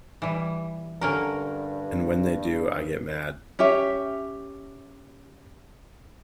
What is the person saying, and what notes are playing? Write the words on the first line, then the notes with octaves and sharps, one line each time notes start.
And when they do I get mad.
E3 G3
G2 D3 C#4 A#4
C#4 G4 E5